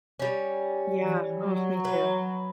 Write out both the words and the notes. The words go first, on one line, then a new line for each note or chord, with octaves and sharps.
Yeah. Oh, me too.
G3 C#4
E3
F#3
B4